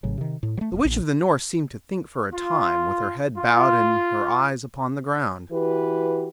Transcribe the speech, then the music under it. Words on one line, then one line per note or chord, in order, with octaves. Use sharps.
The Witch of the North seemed to think for a time, with her head bowed and her eyes upon the ground.
A1 A2 C#3 F#3
C3 D#3
A2
F#3 A3
E1
A#1
F4
F4
E3 F#4 G4 B4